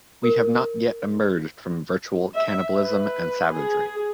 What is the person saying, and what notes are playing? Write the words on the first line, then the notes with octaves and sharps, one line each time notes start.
We have not yet emerged from virtual cannibalism and savagery.
A#4
E5
B4
G#4